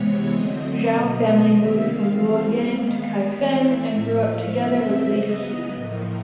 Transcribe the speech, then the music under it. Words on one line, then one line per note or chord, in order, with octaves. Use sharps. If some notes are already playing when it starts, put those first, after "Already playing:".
Zhao family moved from Luoyang to Kaifeng and grew up together with Lady He.
Already playing: C3 E3 G#3 B3 C#5
D3 F#3 A3 C4 D#5
D#5
B2 F#3 B3 D#5
D#5
C3 D#3 G3 A#3 E5
F5
E3 G3 C4 F5
D#3 G#3 B3 F5
E3 A3 C4 D5
E5
A2 F3 A3 E5
F5
C#3 F#3 A3 C4 E5
C#3 F#3 B3 D#5
A2 F3 A#3